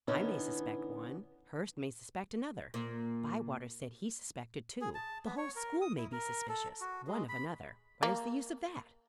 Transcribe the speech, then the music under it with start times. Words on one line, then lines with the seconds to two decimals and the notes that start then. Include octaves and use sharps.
"I may suspect one; Hurst may suspect another; Bywater said he suspected two; the whole school may be suspicious, one of another. Where's the use of that?"
0.08 D3 E3 B3 C#4 D#4
2.74 A#2
4.81 G#4
4.95 A5
5.26 B3
5.38 C#5
5.56 A#4
5.81 D#6
5.98 E4
6.12 A#4
6.49 A4
6.81 F#4
7.08 G#3
7.29 B5
8.03 A#3